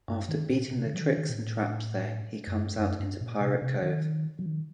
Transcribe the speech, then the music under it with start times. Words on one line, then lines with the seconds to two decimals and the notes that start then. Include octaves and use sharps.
After beating the tricks and traps there, he comes out into Pirate Cove.
0.08 G2
0.28 D#3
0.49 A#2
0.71 C3
0.86 D3
0.95 F#3
1.02 D#3
1.18 D#3
1.29 A#2
1.34 A2
2.47 F#2
2.57 G2
2.78 F#2
3.00 G2
3.21 A#2
3.41 C3
3.62 C3
3.82 D#3
4.39 F#3
4.46 D#3